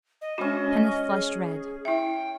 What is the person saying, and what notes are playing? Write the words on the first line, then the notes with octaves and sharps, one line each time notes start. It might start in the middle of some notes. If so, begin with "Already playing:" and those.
Kenneth flushed red.
D#5
G#3 C#4 D4 F#4 C#6
G#4
E4 E5 G5